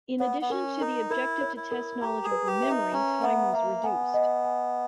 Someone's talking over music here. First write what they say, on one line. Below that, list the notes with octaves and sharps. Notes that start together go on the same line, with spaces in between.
In addition to the objective to test knowledge over memory, time was reduced.
B3 C#5
B3
C#4 A#4
D#4 A#4
E4 A#4
C#5
E4
A#4
G4 A#5
G#4
B4
G4
E5
D#4
C#4 A#5
B3 E5
A#3 E5
B3 G#5
D#5
G#5